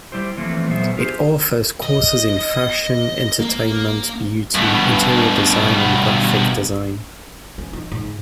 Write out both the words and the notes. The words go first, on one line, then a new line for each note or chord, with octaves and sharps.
It offers courses in fashion, entertainment, beauty, interior design, and graphic design.
G3 E4 G4 C5
E3 F3 A3 A#3 C4
A#2 F#3 B3 G#4 C5 E5
F4 G4 G#4 A#4 C5
D#5
A#3
G2 B2
C#4
D#4
G#2